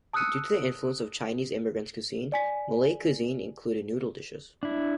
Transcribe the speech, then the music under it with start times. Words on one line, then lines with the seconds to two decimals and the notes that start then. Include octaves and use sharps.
Due the influence of Chinese immigrants cuisine, Malay cuisine include noodle dishes.
0.13 A5 D#6 E6 F#6 C#7 D#7
2.32 D5 G#5 B6
4.63 D4 E4